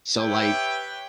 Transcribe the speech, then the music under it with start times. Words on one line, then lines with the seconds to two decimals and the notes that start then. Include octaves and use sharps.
So, like
0.19 G4 B4 C#5 E5 G5